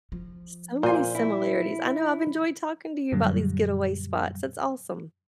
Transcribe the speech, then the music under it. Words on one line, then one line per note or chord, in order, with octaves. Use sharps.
So many similarities, I know, I've enjoyed talking to you about these getaway spots, that's awesome.
F3
A#2 C5 G#5
E4
F#2 A#2 D3 F#3 G3